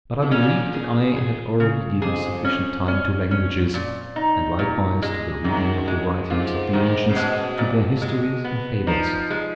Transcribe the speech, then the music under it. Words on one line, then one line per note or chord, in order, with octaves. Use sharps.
But I believed that I had already given sufficient time to languages, and likewise to the reading of the writings of the ancients, to their histories and fables.
B2
A#2 C#4
G#4
G#4
C#3
F2 G#4
C#4
C#4
C#4
A#2
D#4
A#2
G#3
F#2 D#3
G#3
G#2 F4
G#2 D#3
C#3
B2 G#3
A#2
G#3
B3
F3 D#4
G#3